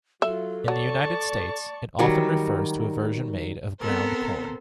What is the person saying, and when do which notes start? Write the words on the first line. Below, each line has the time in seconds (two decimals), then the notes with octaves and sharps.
In the United States, it often refers to a version made of ground corn.
0.22 F#3 F4 A4 E5
0.68 F#3 D5 A5 C#6
1.99 D#3 F#3 G3
3.80 B3 C4 A4 A#4 C5